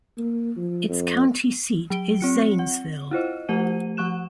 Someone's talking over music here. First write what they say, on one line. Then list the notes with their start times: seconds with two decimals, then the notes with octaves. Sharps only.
Its county seat is Zanesville.
0.18 A#3
0.57 F3
0.89 F2
1.90 F#3 D7 G7
2.21 C4 F4 C#7
2.59 F#5
3.11 E4 F4 C5 D#5
3.49 F3 A3 G4 C5 F#5 D#7
3.97 F3 F#5 C#6 F#6 E7